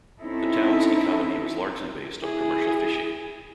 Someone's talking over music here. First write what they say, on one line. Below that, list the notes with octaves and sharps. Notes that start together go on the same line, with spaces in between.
The town’s economy was largely based on commercial fishing.
C4 C#4 D#4 E4 A4
E4 G#4